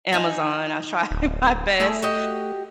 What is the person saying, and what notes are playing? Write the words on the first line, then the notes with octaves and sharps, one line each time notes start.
Amazon. I try my best,
D#4 G#5
D1
A3 E4 G#4
F#4 G4 D#5